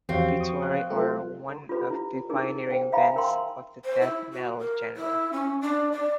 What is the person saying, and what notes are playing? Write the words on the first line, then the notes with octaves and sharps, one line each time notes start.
Obituary are one of the pioneering bands of the death metal genre.
E2 F3 C4 F#4 G4 C#5 F5
C#6 D#6
F5 F#6
F#3 A3 F4 A4
F4 G4 A4 B4 B5
E4
D#4 E4 G#4 A#4
C5 G5
E5 F5 G5 G#5 A#5 B5
A#4 G5 B5 C6
C5
E4
F#4
A#4
E4
C#4
D4
D5